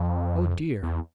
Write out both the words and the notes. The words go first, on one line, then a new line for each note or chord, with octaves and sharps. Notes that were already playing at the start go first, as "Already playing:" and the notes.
Oh dear!
Already playing: F2
E2